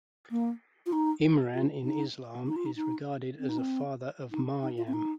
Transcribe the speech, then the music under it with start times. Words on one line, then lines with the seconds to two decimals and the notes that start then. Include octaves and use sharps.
Imran in Islam is regarded as the father of Maryam.
0.31 A#3
0.86 F4
0.92 D#4
1.54 F4
1.84 D#4
2.47 D#4
2.56 F4
2.66 D#4
2.76 D#4
3.39 C4
3.49 D#4
3.58 C4
4.32 D#4
4.62 D#4
4.77 F4
4.87 C4
4.93 D#4